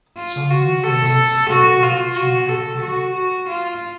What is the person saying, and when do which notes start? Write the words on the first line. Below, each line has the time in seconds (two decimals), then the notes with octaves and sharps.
Sometimes the name is spelled out "Two Mile Creek".
0.17 F4
0.50 F#4
0.83 A4
1.50 F#4
1.83 F4
2.16 F#4
2.49 A4
2.82 F#4
3.15 F#4
3.48 F4